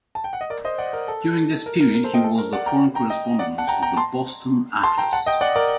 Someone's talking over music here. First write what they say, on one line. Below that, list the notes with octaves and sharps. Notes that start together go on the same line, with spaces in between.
During this period he was the foreign correspondent of the "Boston Atlas".
A5
G5
F#5
D#5
A#4 D5
C5 D#5
D5 F#5
A#4
A4
A#4
A#4
A#4
A4 C5
D#5 G5
A4
A#4
D5 F#5
G5 A#5
G5 A#5
D#5 G5
D5 F#5
F#5 A5
G5 A#5
G5 A#5
A5 C6
A5 C6
G5 A#5
F#5 A5
D#5 G5
D5 F#5
A#4 D5